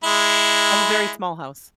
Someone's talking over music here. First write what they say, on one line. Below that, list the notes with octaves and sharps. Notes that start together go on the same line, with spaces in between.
I have a very small house.
G#3 E4